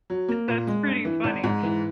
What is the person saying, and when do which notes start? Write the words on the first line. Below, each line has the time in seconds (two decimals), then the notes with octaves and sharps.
That's pretty funny.
0.10 F#3
0.28 A#3
0.48 A#2
0.67 G#3
0.87 G2
1.05 E3
1.24 G#1
1.44 G#2
1.63 E3